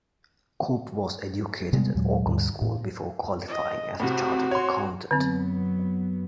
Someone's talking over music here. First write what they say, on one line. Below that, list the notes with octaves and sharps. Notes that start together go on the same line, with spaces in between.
Cope was educated at Oakham School before qualifying as a Chartered Accountant.
C3 G3 G#3 B3
D#2 A#2 F#3 G#3
D#2 G#2 D3 G3
A2
D#5
A2 C3 C4 F#4
C#5 C6
F#2 D3 F#3 B3 C4